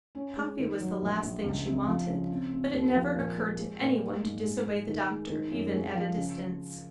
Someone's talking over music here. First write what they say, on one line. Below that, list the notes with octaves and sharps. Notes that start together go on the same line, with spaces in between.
Coffee was the last thing she wanted; but it never occurred to any one to disobey the doctor, even at a distance.
C#4
G#3
D#3
F#3
A#1
A#1
C#2
C3
F3
C#3
C4
C4
D#2
F3
A#2
G#3
G#3
A#2
A#3
G#2
G#3
G#3
D#3
G#3
D#3
F#2
G#3
F3
C#3